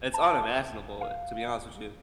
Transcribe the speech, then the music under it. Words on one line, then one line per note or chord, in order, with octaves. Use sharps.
it's unimaginable, to be honest with you.
A5
F5